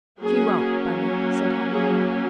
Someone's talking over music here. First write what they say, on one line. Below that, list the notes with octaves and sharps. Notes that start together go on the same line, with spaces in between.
"She won't, Bunny," said Henriette.
F#3 A#3 C#4 G#4
G#4